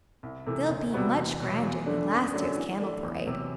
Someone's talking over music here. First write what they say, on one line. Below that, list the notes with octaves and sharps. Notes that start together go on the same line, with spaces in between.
They'll be much grander than last year's candle parade.
C2
C3 E3 A3
D2
C3 G3 B3 F#4
E2
B2 F#3
E2
D3 A3 D4
F#2
D3 F#3 A3 D4
E3
A3 D4
E2
C3 F#3